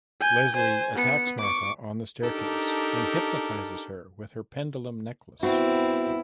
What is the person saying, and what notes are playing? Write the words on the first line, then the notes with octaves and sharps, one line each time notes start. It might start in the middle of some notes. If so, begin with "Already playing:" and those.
Leslie attacks Martha on the staircase and hypnotizes her with her pendulum necklace.
G#5 G6
C5 G#5
B3 C#7
C#6 D6
D4 D#4 G4 A4 A#4
B3 C4 E4 F#4